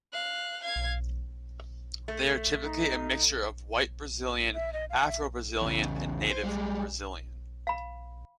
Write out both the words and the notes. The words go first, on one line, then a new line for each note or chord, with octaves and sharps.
They are typically a mixture of white Brazilian, Afro-Brazilian and Native Brazilian.
F5 F#6
F5 G#6
A3
D#4
E5
D#5
F5
E5
E2 C#3
C5
G3 G#3
F5 B5